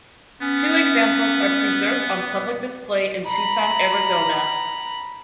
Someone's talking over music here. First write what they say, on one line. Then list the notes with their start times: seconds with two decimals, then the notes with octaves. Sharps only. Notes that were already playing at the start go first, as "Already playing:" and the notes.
Two examples are preserved on public display in Tucson, Arizona.
0.41 B3 C#4
3.26 A#5 B5